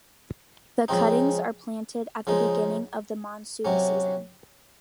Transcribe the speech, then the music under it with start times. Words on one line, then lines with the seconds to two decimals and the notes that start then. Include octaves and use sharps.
The cuttings are planted at the beginning of the monsoon season.
0.88 C#3 F3 G#3 C4 D#4
2.27 C#3 F3 G#3 D#4
3.65 C3 F#3 C#4